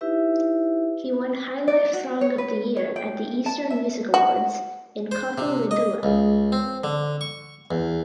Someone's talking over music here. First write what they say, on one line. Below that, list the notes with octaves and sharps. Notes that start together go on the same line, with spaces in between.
He won Highlife Song of the Year at the Eastern Music Awards in Koforidua.
D#4 E4 G4 B4 E5
D5
F#4
C#5
B4
C#5
G5
A5
E5
F#4
C5
C3
D#5
C#2
C4
D3
C#6
E2